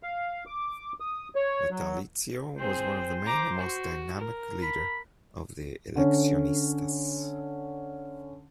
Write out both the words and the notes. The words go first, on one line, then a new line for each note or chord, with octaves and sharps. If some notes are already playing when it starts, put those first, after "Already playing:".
Natalicio was one of the main and most dynamic leader of the "eleccionistas".
F5
D6
D#6
C#5
F#3
C4 G#4 C5
A#5 D6
F#4
A#4
B5
D3 C#4